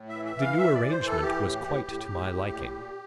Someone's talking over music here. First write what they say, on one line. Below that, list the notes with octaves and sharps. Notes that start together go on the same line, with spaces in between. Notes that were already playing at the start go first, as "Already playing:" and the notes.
The new arrangement was quite to my liking.
Already playing: A2
E5
E3
E5
E3
F5
E3 E5
D5
E3
C5
E3
A4
E3 G4
A2
A2
A2
A2
A2
A#2
A#2